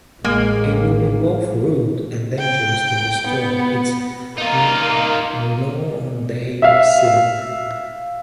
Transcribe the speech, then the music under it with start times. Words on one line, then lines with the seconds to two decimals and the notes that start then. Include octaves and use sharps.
It would be both rude and dangerous to disturb its noonday slumber.
0.24 A1 G#3 A#3
2.39 G5
3.27 B3
4.38 A#3 D#4 F4
6.62 E5 F5